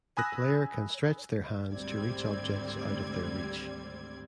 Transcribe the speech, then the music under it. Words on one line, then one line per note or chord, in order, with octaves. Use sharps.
The player can stretch their hands to reach objects out of their reach.
G#5 B5 D#6 E6 F#6 A#6
G#1 D2 G3 C4 D5 G#6